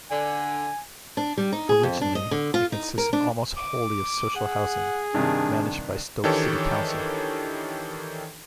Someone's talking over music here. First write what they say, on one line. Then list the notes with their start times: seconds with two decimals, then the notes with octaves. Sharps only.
Originally, it consisted almost wholly of social housing, managed by Stoke City Council.
0.10 D3 G#5
1.17 D4
1.37 G3
1.52 D#4
1.69 G#4
1.83 F2
2.01 D4
2.15 D#5
2.31 D3
2.54 F4
2.72 D#4
2.98 A#4
3.13 D4
3.57 D6
4.36 G#4 F#5
5.14 G2 C3 D#3 D4
6.24 D#3 E3 D4 G4 A4 C#5